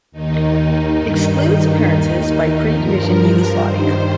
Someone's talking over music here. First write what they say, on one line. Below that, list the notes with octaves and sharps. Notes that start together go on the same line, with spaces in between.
Excludes appearances by pre-division Yugoslavia.
D#2 D#3 D#4
G2 D#3
D#2 D#3 D#4
G2 F3 A#4
G2 D#3 C5